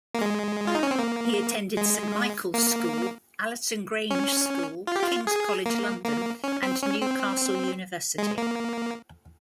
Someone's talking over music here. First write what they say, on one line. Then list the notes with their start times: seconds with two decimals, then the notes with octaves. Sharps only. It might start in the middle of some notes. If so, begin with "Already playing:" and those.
He attended Saint Michael's School, Allerton Grange School, King's College, London, and Newcastle University.
0.14 A#3
0.21 G#3
0.67 F4
0.75 D#4
0.83 C#4
0.91 C4
0.99 A#3
1.77 G#3
2.54 A#3
4.11 C#4
4.87 F4
4.96 G4
5.03 F4
5.27 G#4
5.66 A#3
6.04 A#3
6.44 C#4
6.63 C4
6.82 C#4
7.02 C4
8.18 G#3
8.38 A#3